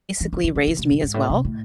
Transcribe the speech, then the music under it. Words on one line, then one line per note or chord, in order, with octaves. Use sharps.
basically raised me as well,
E3
D#3
D#3
D#3
C#3
C3
F#2
G#2
A2
C3
A2